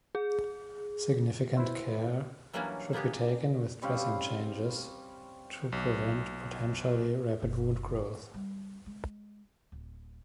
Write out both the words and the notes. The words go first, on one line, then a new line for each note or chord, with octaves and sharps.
Significant care should be taken with dressing changes to prevent potentially rapid wound growth.
G#4
E4 B4 C5 E5
E3 F#3 G3 A#3 C#4 D4
A#3 B3 D4 G4 G#4
G3 C4 C#4 F5
B1
F#1
E4
G3
G#3
D1